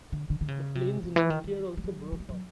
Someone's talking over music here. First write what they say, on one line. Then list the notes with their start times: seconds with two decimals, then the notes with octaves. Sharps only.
The plane's nose gear also broke off.
0.12 D3
0.30 D3
0.41 D3
0.48 C#3
0.75 C3
1.03 C3
1.16 E3
1.30 D#3
1.44 D#3
1.77 G3
1.84 F#3
2.12 F#3
2.20 G3
2.29 F#3